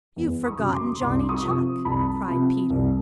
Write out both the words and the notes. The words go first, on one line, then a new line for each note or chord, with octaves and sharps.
"You've forgotten Johnny Chuck," cried Peter.
E2
C#6 D#6
C#3 F#3
C6 D6
C2 C6 D6
C#6 D#6
C3 F3
C2 A5 B5
C3 F3
C2